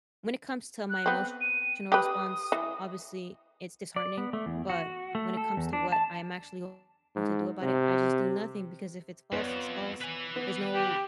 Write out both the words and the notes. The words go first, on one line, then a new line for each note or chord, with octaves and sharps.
when it comes to my emotional response, obviously, it's disheartening, but when it comes to what I'm actually going to do about it, I just do nothing, because if it's false, it's false, there's no
F#6
B3 C4
D#7
G4 B4 D#6
E3
D5
B3
A3
E2
F#4
A3
A4
E2
D4
A5
G#2
C3
F2 B3 C#5 D5
B4 G#5
B3
G4